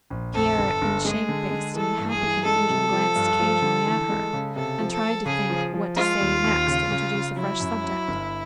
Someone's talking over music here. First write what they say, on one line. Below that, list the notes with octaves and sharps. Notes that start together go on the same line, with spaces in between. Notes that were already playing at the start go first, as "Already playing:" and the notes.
Pierre in shamefaced and happy confusion glanced occasionally at her, and tried to think what to say next to introduce a fresh subject.
A#1
F2 A4
G1
G1
G#3 G#4
D3
G#3
E3 A4
G2
G#4
E3
G#3 A4
C3
F3
G2
F3
D3
E3
G#3
C#3
C3 A4
F3
A4
F3
C#3 G#4
F3
F3
G#3 F4
D#2
D#2
C#3
C#3
C#3
F#3 E4
F#2
F#3
G1